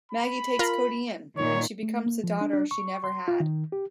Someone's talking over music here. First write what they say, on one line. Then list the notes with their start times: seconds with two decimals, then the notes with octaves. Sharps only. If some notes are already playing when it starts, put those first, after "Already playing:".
Maggie takes Cody in, and she becomes the daughter she never had.
0.12 B5
0.59 F4 A#4
1.37 A#2 D#3 C#5
1.83 A3
2.06 A#3
2.24 F3
2.41 D4
2.53 D4
2.71 C#6
3.04 C6
3.28 F4
3.40 D#3
3.72 G4